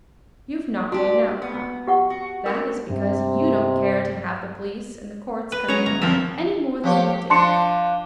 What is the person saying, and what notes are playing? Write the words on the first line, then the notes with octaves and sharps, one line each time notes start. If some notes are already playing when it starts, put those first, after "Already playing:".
You have not made an outcry; that is because you don't care to have the police and the courts come in any more than we do.
D4 F#4 G4
B3
G4 F#5 C#6
F#4
F#4 G4 A#4
G2 C3
B4
G#3 C#4 C#5 A#5
G1 A#5
F#1 F3 C4 E5
F3 G4 C#5
F3 D4 A5 C6 C#7